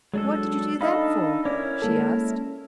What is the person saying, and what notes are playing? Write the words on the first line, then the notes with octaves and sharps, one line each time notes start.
"What did you do that for?" she asked.
F#3 G#3 D4 A4
D4 D#4 A4 D#5 F5 B5
C#4 E4 A#4 D5
G#3 A#3 A4